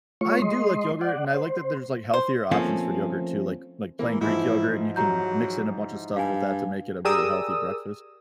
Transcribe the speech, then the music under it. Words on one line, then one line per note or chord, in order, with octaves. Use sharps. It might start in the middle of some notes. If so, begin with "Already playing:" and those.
I do like yogurt, and I like that there's, like, healthier options for yogurt too, like like plain Greek yogurt, and you can mix in a bunch of stuff with that to make it a really healthy breakfast.
A3 F4 C#5 C#6
G#3 D#5 C6
D5 F#5
C5
C5
F3 A3 A#3 C4 C#4
E3 A#3
G#2 E3 F3 E4
F#3 G4 A#5 G6
G2 F5 G#5
G4 G#4 A#4 D5 D#6 E6